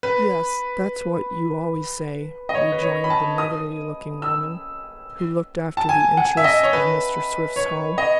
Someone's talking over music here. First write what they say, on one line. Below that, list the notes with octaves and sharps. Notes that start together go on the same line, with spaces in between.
"Yes; that's what you always say," rejoined the motherly-looking woman, who looked after the interests of Mr. Swift's home.
B4
D#5
C#5
B4
C#5
B5
A5
D#6
E6
A5
G#5
F#5
E5
D#5
C#5
B4
C#5
D#5